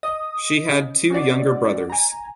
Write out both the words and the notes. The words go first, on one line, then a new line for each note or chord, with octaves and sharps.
She had two younger brothers.
D#5 D#6
C#3
C#4 F#4 D5
G#5 A#5